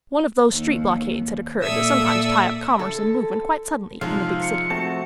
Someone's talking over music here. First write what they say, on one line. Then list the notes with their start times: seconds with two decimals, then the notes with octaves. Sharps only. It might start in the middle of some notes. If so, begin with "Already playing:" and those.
One of those street blockades had occurred that sometimes tie up commerce and movement quite suddenly in the big city.
0.51 D#2
1.63 A#2 A4 D5 E5 D#6 E6
2.79 D3 A4
4.01 C3 F3 G#3 D#4 F5
4.42 C#7
4.70 A3 C4 F#4 A5